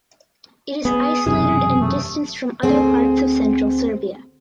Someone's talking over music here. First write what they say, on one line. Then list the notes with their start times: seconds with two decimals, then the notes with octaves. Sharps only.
It is isolated and distanced from other parts of Central Serbia.
0.85 B3 G#4
1.26 E1 F#2 C3 G#4
1.81 A3
2.62 D2 C4 G#4 C5